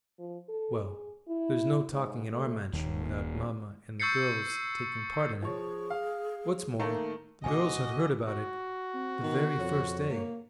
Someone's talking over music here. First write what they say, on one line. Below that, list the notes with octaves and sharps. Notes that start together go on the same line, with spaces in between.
Well, there's no talking in our mansion without mamma and the girls taking part in it. What's more, the girls had heard about it the very first day.
F3
A4
G#4
E4
G#2
A3
D#1 D#2
C#6 E6 G6 A6 C7 C#7
F3 G#4 C#5
F5
D#3 A3 A#3
D2 B2 A3 F#4 D#5 G#5 D6
F#4
C4
D#3 B3
F2 C#5
A#3